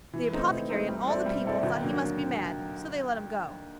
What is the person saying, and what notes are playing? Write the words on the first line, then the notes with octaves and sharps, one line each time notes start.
The apothecary and all the people thought he must be mad, so they let him go.
E3
A3 C4 D#4
E3
A3 C4 D#4
G3
C4 E4 A4 D5
G3
C4 E4 A4 D5
D#2
D3 F#3 A#3